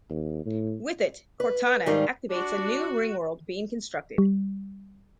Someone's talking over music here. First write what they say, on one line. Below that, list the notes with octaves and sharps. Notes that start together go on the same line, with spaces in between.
With it, Cortana activates a new ringworld being constructed.
D#2
A2
B4
G#2 D#3 G3 D#4 A#4 F5
D4 F#4
G3